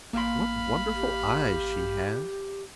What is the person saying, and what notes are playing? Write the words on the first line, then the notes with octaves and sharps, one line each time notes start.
What wonderful eyes she has.
A1 A#3 F5 B5 C6
G4